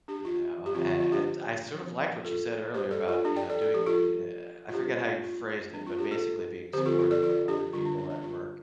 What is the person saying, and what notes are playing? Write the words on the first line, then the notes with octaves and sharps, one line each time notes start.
You know? A and I sort of liked what you said earlier about, you know, doing, e a a, I forget how you phrased it, but basically being supportive of other people at work.
D4 G4
F4
G4
D3 F3 C4 F4
F4
F4
D4 G4
F3 C4
F4 A4
G3 D4 G4 C5
A4 D5
F4 A4
D4 G4
D5 G5
A4 D5
A4
F3 D4 G4
F4 A4
F4
G3 C4 D4 G4
F4
F4
G3 C4 D4
F4
D4 G4
F4 A4
D3 F3 C4 G4 C5
F4 A4
F4
A4 D5
F4 A4
D4 G4
D3 G3 D4 F4
D4
D4
D4
F4